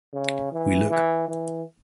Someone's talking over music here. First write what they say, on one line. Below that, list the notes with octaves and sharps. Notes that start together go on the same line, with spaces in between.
We look.
C#3
E3
E3
E3